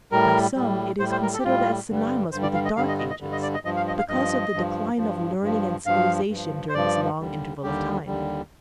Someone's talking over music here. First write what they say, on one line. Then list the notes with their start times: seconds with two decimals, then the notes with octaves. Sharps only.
By some it is considered as synonymous with the Dark Ages, because of the decline of learning and civilization during this long interval of time.
0.12 A2 G3 A#4
0.56 A2 G3
1.00 A2 C5
1.04 G3
1.12 C5
1.23 A#4
1.34 A4
1.39 G4
1.45 A2 G3 F4
1.89 G2 D3 G3
2.32 G2 D3 G3 C5
2.43 D5
2.55 F5
2.65 D#5
2.76 G2 D3 G3 F5
2.88 D#5
2.99 D#5
3.10 D#5
3.20 G2 D3 G3
3.32 D#5
3.43 D5
3.54 D#5
3.65 G2 F3 D#5
3.77 F5
3.88 D#5
3.98 F5
4.09 G2 F3 D#5
4.54 G2 F3
4.97 G2 F3
5.41 G2 F3
5.86 G2 F3 F5
6.29 G2 F3
6.69 C5
6.74 G2 F3 D5
7.18 D#2 D3 G3
7.63 D#2 D3 G3 G4
8.06 D#2 D3 G3